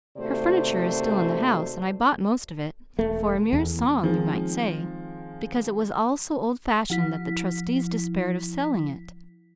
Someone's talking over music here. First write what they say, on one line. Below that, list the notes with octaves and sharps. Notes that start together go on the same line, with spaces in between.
Her furniture is still in the house, and I bought most of it--for a mere song you might say, because it was all so old-fashioned that the trustees despaired of selling it.
D#2 C3 A3 F#4 C5 D5
E1 A3
E2
D#3 F3 G#3 C4
F3 E4 B6